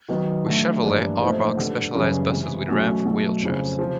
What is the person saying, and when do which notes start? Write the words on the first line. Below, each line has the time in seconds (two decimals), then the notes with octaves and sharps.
With Chevrolet Arboc specialized buses with ramps for wheel chairs.
0.09 D#3 F#3 B3 D#4
0.46 D3 F#3 A3
0.83 G2 E3 G3 A#3 D4
1.20 A#2 F3 A3 C4 D#4
1.57 D3 G3 B3
1.95 F#2 C#3 E3 G3 B3
2.31 C3 E3 G#3 B3
2.68 B2 F#3 A3 C#4 F#4
3.05 B2 F#3 A3
3.42 F2 C#3 F3
3.79 C3 F3